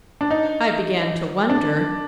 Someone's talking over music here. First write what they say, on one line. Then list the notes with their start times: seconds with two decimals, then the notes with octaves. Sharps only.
"I began to wonder."
0.21 D4
0.31 D#4
1.50 D4